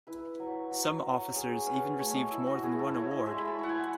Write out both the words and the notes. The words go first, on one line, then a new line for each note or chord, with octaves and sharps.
Some officers even received more than one award.
E4 B4
F#3
F#3
F#3
C#4 G#4
C#4 B4
A3 C#5
D#5
E4 E5
F#4
E4 G#4
A4
E4 C#5
D#5
G#3 E5
B5
A5
E4 F#5
G#5